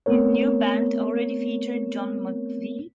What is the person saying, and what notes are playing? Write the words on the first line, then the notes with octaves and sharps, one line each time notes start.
His new band already featured John McVie.
A3 B3 C4 A#4 C#5